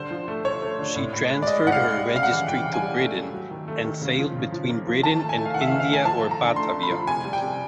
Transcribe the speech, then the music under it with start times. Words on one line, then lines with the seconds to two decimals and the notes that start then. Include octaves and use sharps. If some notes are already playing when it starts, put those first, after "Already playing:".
She transferred her registry to Britain and sailed between Britain and India or Batavia.
Already playing: D3 G3 C5
0.11 F3
0.28 A3
0.45 A3 C#5
0.62 A3
0.79 D3
0.96 A2
1.13 A2
1.29 G#3
1.42 D5
1.46 G#3 D#5
1.64 A2 F#5
1.72 F5
1.81 G#3
1.98 G3
2.15 C#3 F5
2.23 F#5
2.32 E3
2.48 E3 G5
2.65 C#3
2.74 G#5
2.82 G3
2.99 A3
3.17 F#3
3.34 F#3
3.51 D#3
3.68 A3
3.85 D#3
4.02 C#3
4.19 F3
4.36 C#3
4.52 F3
4.69 A#3
4.87 F3
5.03 D#3 A5
5.21 A3
5.29 G#5
5.37 A3
5.45 F5
5.54 D#3 F#5
5.61 E5
5.68 F5
5.72 D#3
5.80 F5
5.89 A3 G#5
6.05 F3 A5
6.23 A3
6.31 A#5
6.39 D3
6.56 A3 C6
6.74 A3
6.83 B5
6.90 F3
7.07 C3 G#5
7.25 G3
7.33 G5
7.42 C3